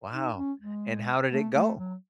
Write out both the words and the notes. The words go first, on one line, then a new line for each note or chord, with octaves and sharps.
Wow. And how did it go?
D#4
C#4
G#3
A3
A3
F#3